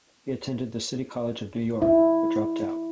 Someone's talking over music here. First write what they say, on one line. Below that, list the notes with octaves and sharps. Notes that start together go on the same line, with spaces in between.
He attended the City College of New York but dropped out.
E4